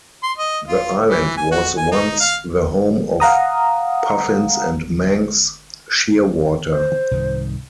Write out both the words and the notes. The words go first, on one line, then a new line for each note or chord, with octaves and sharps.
The island was once the home of puffins and Manx shearwater.
C6
D#5
F4
E3
G#5
F#4
G#5
D#4
F5
F5 F#5 A#5 D#6
C5
C2 G#2 D#3